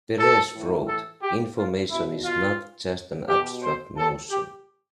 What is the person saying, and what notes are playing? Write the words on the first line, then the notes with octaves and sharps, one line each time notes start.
Peres wrote, Information is not just an abstract notion.
A4
A2 E3
A4
G4
F4
B2 E4
F4
B2 G4
C5
A4
G4